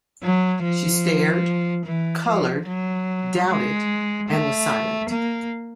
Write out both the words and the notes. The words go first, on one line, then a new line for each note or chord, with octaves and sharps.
She stared, coloured, doubted, and was silent.
F#3
F3
E3
F3
F#3
G#3
A3
A#3